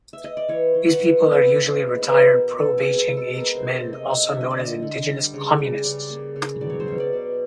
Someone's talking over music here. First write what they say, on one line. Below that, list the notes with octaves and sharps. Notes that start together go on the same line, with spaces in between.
These people are usually retired pro-Beijing aged men, also known as indigenous communists.
E5
D#5
D5
E3 C#5
E3
F#5
E3
B3 E5
B3
C5
G#3
B3 B4
A#4
B2
B3
A4
B3 G#4
A4
G#3
A4
B3
A#4
C3 C5
C3
D#5
C3
D3 E5
D#5
D5
D3 D#5
D3
G3
C#3
G3
C#3 D5
A#3
C#3
F#3 D5
C#5
C5
B2 C#5
D5
B2